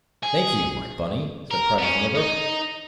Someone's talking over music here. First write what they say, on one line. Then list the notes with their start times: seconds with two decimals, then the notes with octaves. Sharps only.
"Thank you, my bunny," said Private Hornabrook.
0.23 G#4
1.51 A#4
1.78 B3
1.82 C#4
2.15 D#4